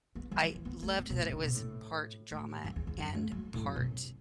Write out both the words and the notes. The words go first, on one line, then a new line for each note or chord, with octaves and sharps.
I loved that it was part drama and part
B3
F#3
E3
E3
B3
A3
B3
B2
A2
D3
B2
A2
A2
F#2
E2
E2
F#2
A3
F#3
A2
F#2
B2